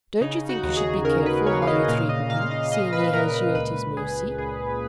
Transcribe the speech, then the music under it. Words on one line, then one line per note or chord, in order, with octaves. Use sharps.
"Don't you think you should be careful how you threaten him, seeing he has you at his mercy."
C#3 D#4
F#4
D#2
G#4
C#3 A#4
B4
C#3 C#5
F5
D#5
A#2 F5
D#5
A#2 F5
D#5
A#2 D#5
B4
A#2 A#4
B4
C#2 B4
C#2 G#4
C#2 G#4